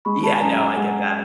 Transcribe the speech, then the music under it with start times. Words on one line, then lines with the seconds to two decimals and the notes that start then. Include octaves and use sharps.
Yeah, no, I get that.
0.05 G#3 B5 C#6
0.23 A5 B5
0.41 F#2 G#5 A#5
0.60 G#5 A#5
0.77 G#3 F#5 G#5